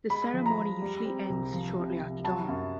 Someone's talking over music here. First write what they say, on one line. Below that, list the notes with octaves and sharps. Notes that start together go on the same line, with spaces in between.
This ceremony usually ends shortly after dawn.
G#3 B5
F3
A#5
G#3
G3
C4
C2
F3
C3
C3
F#3 A5
F#2